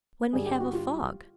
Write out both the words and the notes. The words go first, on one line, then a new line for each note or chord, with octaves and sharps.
"When we have a fog."
G2 D3 G3 G#4
G4
F#4
F4 G4